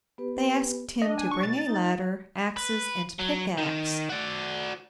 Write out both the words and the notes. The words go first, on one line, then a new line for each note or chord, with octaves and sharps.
They asked him to bring a ladder, axes and pickaxe.
B3 G4 B4
D4 D#5
G#5
C#6
B2 A6
D#4
B4
F#3
D#3
F#4 D5